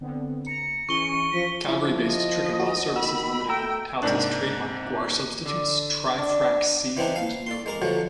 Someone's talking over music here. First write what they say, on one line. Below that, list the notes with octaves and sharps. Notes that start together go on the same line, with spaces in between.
Calgary-based Trican Well Services Limited touts its trademarked guar substitutes TriFrac-C and Novum.
D3 B3 C4
A#5 A#6 C#7
E3 C#4 E4 G#4 C#6 G7
F3 A#6 B6
F3 E4
D#5
F#4
D#3 F#4 B5 E6
A3 G5 A#5 E6
G#2 C3 A#3 C4 D4
D3
D4
E3 B3 C4 D4 D#4
F5
D5 C6
G#3 A#4 D6
B2 D3 F3 F#3